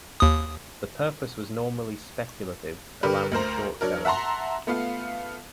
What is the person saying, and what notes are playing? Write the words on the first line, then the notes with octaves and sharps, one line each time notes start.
The purpose was normally speculative, allowing short selling.
D#2 D#6
D3 G4 A#4 B4
D2 A#4 C5 A#5
F#3 D4 A#4
E5 F#5 A5 A#5 C6
A3 B3 F4 F5